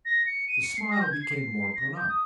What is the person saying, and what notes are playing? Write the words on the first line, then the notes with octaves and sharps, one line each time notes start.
The smile became more pronounced.
A#6
C#7
D#7
C#7
C7
A#6
G6
G#6
C7
A#6
G6
D#6